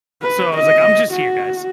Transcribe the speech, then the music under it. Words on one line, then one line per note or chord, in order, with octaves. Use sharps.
So I was like, "I'm just here, guys,"
B4
D#5
F#4